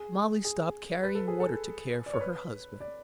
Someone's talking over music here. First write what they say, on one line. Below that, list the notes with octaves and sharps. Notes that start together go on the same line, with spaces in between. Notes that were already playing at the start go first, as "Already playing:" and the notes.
Molly stopped carrying water to care for her husband.
Already playing: G#4
G#4
B4
A4
G#4
A4
D5
C#5
B4
D5